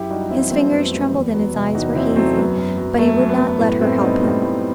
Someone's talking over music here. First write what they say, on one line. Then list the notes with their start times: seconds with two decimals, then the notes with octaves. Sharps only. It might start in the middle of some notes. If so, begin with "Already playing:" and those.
His fingers trembled and his eyes were hazy, but he would not let her help him.
Already playing: F#2 E4 G4
0.10 G3 D#4 F#4
0.30 E3 C4 E4
0.51 F#2 A3 C4
0.72 F#2 B3
0.92 G3 A3
1.13 E2 B3
1.34 F#3 B3
1.54 C3
1.74 E2 D#4 F#4
1.95 E2 C4 E4
2.16 F#3 A3 C4
2.36 F#2 B3
2.57 F#2
2.78 F#3
2.98 F#3 A3
3.19 F#2
3.29 B3
3.40 F#2
3.60 A2 B3
3.80 A2 A3 C4
4.01 G3 B3 D#4
4.21 G3 A3 C4
4.42 A2